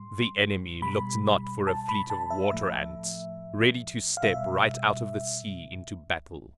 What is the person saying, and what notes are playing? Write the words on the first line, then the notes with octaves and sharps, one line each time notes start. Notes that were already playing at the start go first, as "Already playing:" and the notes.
The enemy looked not for a fleet of water- ants, ready to step right out of the sea into battle.
Already playing: A2 G3 C6
B2 G3 B5
A5
B5
A5
E5
A2 F3 A3
F5
B2 G3 E5